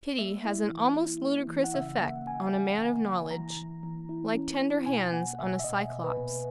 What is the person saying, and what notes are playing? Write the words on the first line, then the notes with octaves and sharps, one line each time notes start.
Pity has an almost ludicrous effect on a man of knowledge, like tender hands on a Cyclops.
A#3 E5
E4
E3
E4
A#3
E3
F#5
C#3 E5
A#3 F#5
C#3 G#5
C#3
C#3
A#3
E3 A#5
E3
E3
E4
C#4
E4
B2 G#5
A#3 F#5
B2 E5
E5
B2 D#5
B2
B4
B2